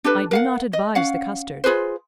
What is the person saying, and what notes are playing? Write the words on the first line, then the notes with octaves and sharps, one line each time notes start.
I do not advise the custard.
D4 G4 A4 B4
A#4 F5 F#5
D#5
C#4 F5 F#5
F4 G#4 B4 C5